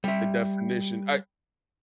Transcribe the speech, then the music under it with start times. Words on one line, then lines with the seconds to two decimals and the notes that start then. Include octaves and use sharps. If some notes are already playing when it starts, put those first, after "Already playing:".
the definition I
0.04 G3 E5